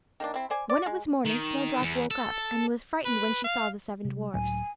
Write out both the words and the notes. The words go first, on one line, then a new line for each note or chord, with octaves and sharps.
When it was morning, Snowdrop woke up, and was frightened when she saw the seven dwarfs.
D#3 A#3 D4
C4 E4
C5 D5 G#5
D5
G#3
D#3
E2
A4
B4
F5
C3 G3
C#2 A2 F#3 G#5